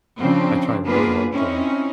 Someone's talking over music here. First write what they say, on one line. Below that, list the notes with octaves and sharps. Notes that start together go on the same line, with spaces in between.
I tried really hard to, like
C#3 F3 C4 D4
A#3 B3 D4 F4 G#4 B4
C4 C#4 D#4 E4